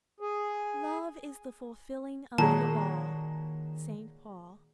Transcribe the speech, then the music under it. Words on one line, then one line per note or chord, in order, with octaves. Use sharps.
Love is the fulfilling of the law.--St. Paul.
G#4
A#2 D#3 F#3 G#3 A5